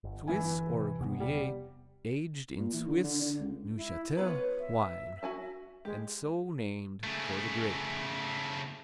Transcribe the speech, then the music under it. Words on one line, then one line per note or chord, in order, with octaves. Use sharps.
Swiss or Gruyere aged in Swiss Neuchatel wine and so named for the grape.
G1
E3 E4 G#5
C3
E1 C3 B3
G3
A#2
E3
D3
D3
D3
C#2
E4
B3 F4 B4 C#5
E5
F#4 G#5 A5
G#3 G4
C#3 A3